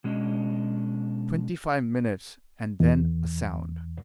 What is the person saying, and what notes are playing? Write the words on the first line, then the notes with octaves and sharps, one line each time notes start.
Twenty-five minutes, and then a sound.
B2 G#3 C#4 D4 D#5
E2